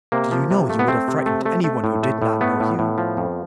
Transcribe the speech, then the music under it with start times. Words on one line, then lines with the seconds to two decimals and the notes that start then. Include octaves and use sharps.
Do you know, you would have frightened any one who did not know you?
0.12 C3 A#3
0.32 F3
0.51 C3
0.70 A3
0.79 B3
0.88 A3 C4
1.08 C3
1.26 A3
1.46 A3
1.64 A3
1.84 A2
2.03 A3
2.22 A2
2.41 A3 B3
2.60 A2
2.79 A2
2.98 F3
3.17 F2